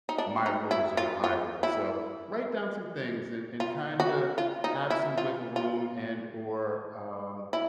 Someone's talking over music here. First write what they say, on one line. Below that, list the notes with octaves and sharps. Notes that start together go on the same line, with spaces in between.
my rules or the highway so, write down some things and and kinda have some wiggle room and or, um,
D#4
D4
D#4
E4
F4
F4
E4
F4
F#4
F4
D#4
E4
F4
F4
E4